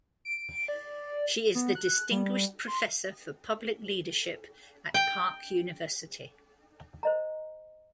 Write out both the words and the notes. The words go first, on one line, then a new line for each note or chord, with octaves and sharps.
She is the Distinguished Professor for Public Leadership at Park University.
D7
D5
B3
F#6
G3
C6
G5
C5 D#5 A#5